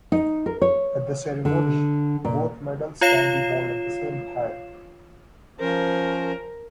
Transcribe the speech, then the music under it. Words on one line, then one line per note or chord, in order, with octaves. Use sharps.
At the ceremony, both medals can be worn at the same time.
D#4
A#4
C#5
D3
A#2
F4 C#5 F5 C7 E7
F3 C#4 A#4 C5